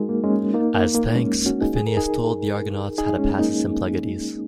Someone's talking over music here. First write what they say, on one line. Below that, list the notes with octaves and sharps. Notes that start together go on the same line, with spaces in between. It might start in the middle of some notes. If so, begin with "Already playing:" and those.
As thanks, Phineas told the Argonauts how to pass the Symplegades.
Already playing: G#3 D#4 F#4 G#4 A#4
A#3
G#3 C#4
A#3 D#4
A#3
A#3
G#3 C#4
C#4 F#4
D#4 G#4
G#4
A#4
D#4 G#4
D#4 G#4
G#3 C#4
A#3 D#4